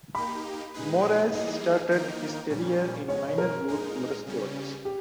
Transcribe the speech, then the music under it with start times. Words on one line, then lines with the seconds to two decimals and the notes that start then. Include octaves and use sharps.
Moraes started his career in minor youth motorsports.
0.14 A#3 D#4 G4 B5
0.74 A#2 G#3 D#4 G#4 B4
1.32 E3 G3 A#3 D#4 G#4 D#5
1.91 D#3 A#3 D#4 A#4
2.50 A#2 G3 C#4
3.08 B2 G#3 C#4 C#5
3.38 A#4
3.67 A#2 G#3 D#4 G#4 A#4
4.26 C#3 G3 C#4
4.85 G4